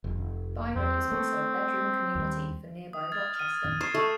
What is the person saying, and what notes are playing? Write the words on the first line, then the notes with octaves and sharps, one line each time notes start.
Byron is also a bedroom community for nearby Rochester.
F1
E2 C4
A3
D#2 G3
D#6
F6 G#6 A6
F6 D#7
D6 G#6 C7 E7
A3